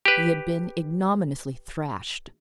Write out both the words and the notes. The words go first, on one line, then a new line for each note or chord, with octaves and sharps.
He had been ignominiously thrashed!
G4 B4